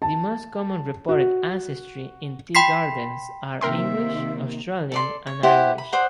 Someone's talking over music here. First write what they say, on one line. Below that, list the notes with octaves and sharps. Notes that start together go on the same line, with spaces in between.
The most common reported ancestries in Tea Gardens are English, Australian and Irish.
A5
F#4
G5 B5 C6 B6 C7
C3 D#3 A#3 A#4 E5 G5 C6
A4 D5 C6
C#5
E4 G4 C5 F#5
B5
C5 D5 F#5 D#6